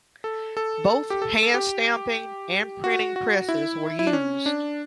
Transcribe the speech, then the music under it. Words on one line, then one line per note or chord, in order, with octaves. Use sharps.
Both handstamping and printing presses were used.
A4
A4
A4
G4
A4
A4
G4
F#4
F#4
E4
E4
D4
C#4
D4